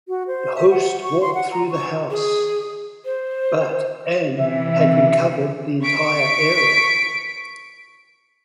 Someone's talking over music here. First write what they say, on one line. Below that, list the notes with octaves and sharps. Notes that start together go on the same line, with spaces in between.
The host walked through the house but and had covered the entire area.
F#4
C5
E5
F#5
C#6
C6
F#5
A#5
C#6
G#4
C5
C3 E3 E5
C#6 B6 D7